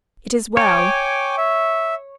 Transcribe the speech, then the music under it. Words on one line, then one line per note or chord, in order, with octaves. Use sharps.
It is well.
C#5 G5 G#5 D6
E5